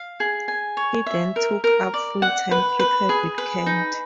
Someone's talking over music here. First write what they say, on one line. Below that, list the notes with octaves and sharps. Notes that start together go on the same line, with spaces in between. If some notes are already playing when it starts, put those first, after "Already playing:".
He then took up full-time cricket with Kent.
Already playing: F5
G#4
G#5
C#5
E5
A#4
A#4
D5
F#5
B4
B4
G#4
B4
D#4